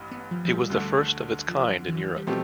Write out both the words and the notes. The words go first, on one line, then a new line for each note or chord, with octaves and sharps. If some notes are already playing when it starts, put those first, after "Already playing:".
It was the first of its kind in Europe.
Already playing: A1 G2
B3
F3
F3
G3
D2 D3 A3
F3
E3
G3
B2 F3 A3 C4 G4